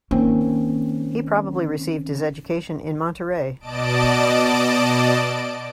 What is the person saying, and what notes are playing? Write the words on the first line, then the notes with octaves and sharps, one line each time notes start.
He probably received his education in Monterrey.
D#3 A#3 C4 C#4
B2 D5 D#5 A5 D7